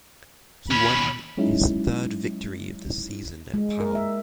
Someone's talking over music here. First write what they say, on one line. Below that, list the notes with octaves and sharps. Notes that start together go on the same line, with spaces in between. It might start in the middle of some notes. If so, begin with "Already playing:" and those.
He won his third victory of the season at Pau.
D#2 C#4 B5
F#3 G#3 C#4 D#4 E4
G#3
A#4
E5